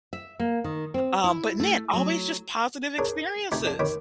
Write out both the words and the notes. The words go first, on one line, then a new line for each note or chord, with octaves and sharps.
um, but, man, always just positive experiences.
E5
A#3
D#3
C4
E4
A3
F#3
D4 G#4 A#4 C#5
C3 A3 D#4 G4 G#5
A#1 D4
D#2 D#3 C#5 B5 D6